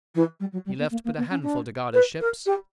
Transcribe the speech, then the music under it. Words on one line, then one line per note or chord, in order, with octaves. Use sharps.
He left but a handful to guard his ships.
E3
G3
F#3
G3
B3
A#3
A#3
B3
C#4
D4
B4
A#4
G4